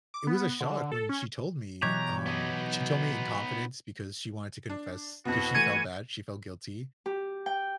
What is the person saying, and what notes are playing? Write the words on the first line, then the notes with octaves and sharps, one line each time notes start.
it was a shock when she told me, um, she told me in confidence because she wanted to confess, 'cause she felt bad, she felt guilty
D6
B3
D3
A4
C#4
B2 E3 F#3 G4 C#5 A#5
B3 D#4
D4
F2 B2 B3 E4 F#4
E3 A3 G#6 C#7 D#7
G4
G5